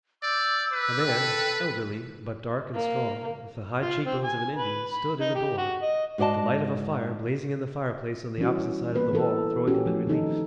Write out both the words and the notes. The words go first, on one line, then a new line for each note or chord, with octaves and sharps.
A man, elderly, but dark and strong, with the high cheek bones of an Indian stood in the door, the light of a fire blazing in the fireplace on the opposite side of the wall throwing him in relief.
D5 D6 E6 G6
B4
A4 G5
A#3
F4
C4
G#5
B4
B5
D#4
G4
F#4
D#5
G#2 F#4 D5 D#5 A5
E3 G3 C#4 F#4
E3 A#3 B3 B4
E3 B3 A4 A#4
C#4 F#4 G4
F3 A3
D#3 C4 D#4 A4